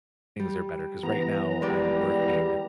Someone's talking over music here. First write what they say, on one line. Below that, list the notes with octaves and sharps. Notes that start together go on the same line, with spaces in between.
things are better. 'Cause right now, I'm working
G3
E3 B3 A#5
G3 G#3 D5